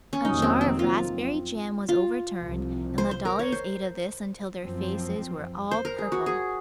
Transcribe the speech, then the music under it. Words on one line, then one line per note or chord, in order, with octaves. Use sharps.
A jar of raspberry jam was overturned and the dollies ate of this until their faces were all purple.
C#4
F2 C3 D#3 F#3 A#3 D#4
C4
C4
F4
F4
C2 C3 F3
C5
C5
A#4
C#5
C5
F#2 F3 C4
C5
A#4
G#4
F#4
G#4